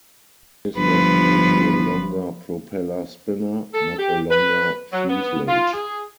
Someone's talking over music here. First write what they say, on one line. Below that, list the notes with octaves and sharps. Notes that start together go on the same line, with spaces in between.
This was due to a longer propeller spinner, not a longer fuselage.
G1 F3 B4
A4
G4
B4
F#3
B3
F4
G#4